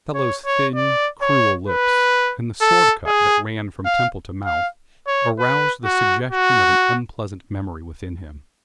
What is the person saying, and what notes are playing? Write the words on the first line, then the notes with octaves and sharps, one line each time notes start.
The fellow's thin, cruel lips, and the sword-cut that ran from temple to mouth aroused the suggestion of an unpleasant memory within him.
C#5
C#5
D5
C#5
B4
A4
G#4
F5
F5
C#5
B4
F#4
F#4